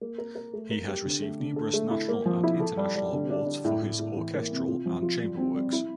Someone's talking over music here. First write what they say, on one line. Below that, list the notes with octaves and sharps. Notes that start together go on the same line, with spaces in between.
He has received numerous national and international awards for his orchestral and chamber works.
A#3
A#4
A#4
A3
A#4
G4
D3
A3
D3
A4
A3
E4
A#3
F3
E4
A4
G3
G3
D3
D4
D4
A2
A2
A2
E3
A#3
C3
F4
F3
F4
G3
C4
G3
E4